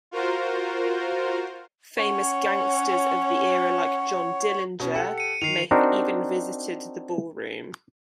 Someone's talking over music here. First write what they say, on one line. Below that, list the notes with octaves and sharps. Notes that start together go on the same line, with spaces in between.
Famous gangsters of the era like John Dillenger may have even visited the ballroom.
F4 F#4 A#4 C5
C#4 C#5 F#5
B2 C#4
G4 A4 F#5
C#7 D#7
D#3 C7 F7
C4 D4 D#4 F#4 A#4